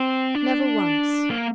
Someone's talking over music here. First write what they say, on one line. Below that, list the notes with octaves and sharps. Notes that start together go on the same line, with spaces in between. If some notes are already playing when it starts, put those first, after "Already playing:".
Never once!
Already playing: C4
D4
A#3